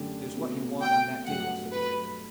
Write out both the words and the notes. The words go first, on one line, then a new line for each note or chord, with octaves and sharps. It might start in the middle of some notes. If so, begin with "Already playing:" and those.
"There's what you want on that table," said the waiter.
Already playing: F#2 D3 A3 D4 G4
B2 A3 C4 F#4
G5
G2 F#3 A3 D4 F#4 F#5
B4